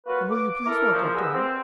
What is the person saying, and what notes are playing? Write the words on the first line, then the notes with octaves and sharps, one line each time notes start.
"And will you please walk up to her?"
F#3 A#3 F4 F#4 B4
D6
E4 A4 A#4
A#2 C#3 F3
G4 G#4 B4 D#5 F#5 E6
C4